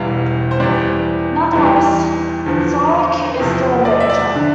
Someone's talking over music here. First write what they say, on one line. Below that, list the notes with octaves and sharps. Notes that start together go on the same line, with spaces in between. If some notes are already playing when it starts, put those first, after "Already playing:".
Nonetheless, Solek is still in danger.
Already playing: E1 E2 E3 G3 F5
C5
E2 E3 G3 D5
E2 E3 G3
E2 D3 F3
E2 C3 F3
D5
E5
D5
D3